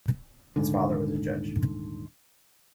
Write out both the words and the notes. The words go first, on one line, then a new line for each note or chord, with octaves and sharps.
His father was a judge.
D#1 G#2 D3